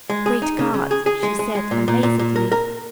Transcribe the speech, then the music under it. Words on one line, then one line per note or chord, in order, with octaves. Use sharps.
"Great God!" she said amazedly.
G#3
G#4
D#4
C#3
C#3
G#4
G#4
G#3
G#3
G#3
A#2
A#2
A#2
A#2
A#4
A#4